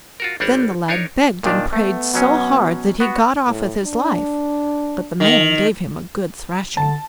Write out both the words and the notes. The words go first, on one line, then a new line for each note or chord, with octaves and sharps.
Then the lad begged and prayed so hard that he got off with his life, but the man gave him a good thrashing.
F4 F#4 A#4
G#1 G3 D4 F#4 C#5 F#5
D4 D#4 A#4 C#5
A#2 D#3 D4
A3 B3
B2 F#3 C#4
B3 F#4
A2
D4
D#3
D3 A5